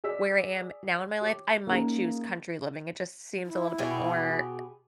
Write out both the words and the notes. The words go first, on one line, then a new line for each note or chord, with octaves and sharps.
where I am now in my life, I might choose country living, it just seems a little bit more,
G#4 D5 E6 B6
G4 C#5
A#3 C#4 D#4 G#4
E4
B2 G4 G#4